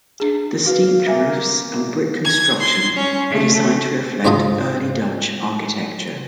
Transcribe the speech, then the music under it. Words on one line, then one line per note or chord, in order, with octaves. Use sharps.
The steeped roofs and brick construction were designed to reflect early Dutch architecture.
D4 G#4
F#4 B4 F5
A#3 E5 G#5
G#6
C6
C#4
A3
G#2 D4 F4 D5 A#5 D#6